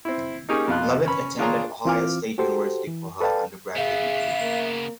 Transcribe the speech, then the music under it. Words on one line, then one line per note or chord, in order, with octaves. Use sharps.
Lovett attended Ohio State University for her undergraduate degree.
C4 E4
A#3 C#4 D#4 G4 G#4
F2 B2 F4 F#6
C#4 B5
D4 F4 G#4 C#5 A#5 C6
E3 C4 F4 D6 F6
F#4 G4 A4 C5
E3
A4 B4 D5 F5 G5 A5
C#3 B3 G#4 E5 F5
A#3